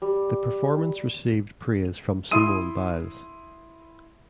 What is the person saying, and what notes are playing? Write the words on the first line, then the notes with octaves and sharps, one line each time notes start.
The performance received praise from Simone Biles.
G3
E4 C6 D#6 D#7